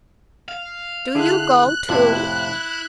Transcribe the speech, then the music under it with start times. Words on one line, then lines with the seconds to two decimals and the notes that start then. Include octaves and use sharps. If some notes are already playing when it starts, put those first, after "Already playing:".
Do you go too.
0.48 F5
1.15 D3 E4 G#4 F#6
1.89 F2 A2 C3 E4